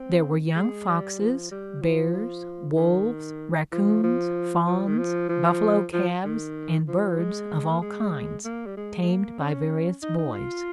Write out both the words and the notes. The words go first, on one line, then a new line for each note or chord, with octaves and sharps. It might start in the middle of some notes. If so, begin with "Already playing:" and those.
There were young foxes, bears, wolves, raccoons, fawns, buffalo calves and birds of all kinds, tamed by various boys.
Already playing: C4
G#3
G3
F3
G3
F3
F3
D#3
F3
F3
F3
D#3
F3
F3
F3
D#3
F3
G#3
A#3
G#3
A#3
G3
G#3
G#3
A#3
C#4
D#4
D#4
F4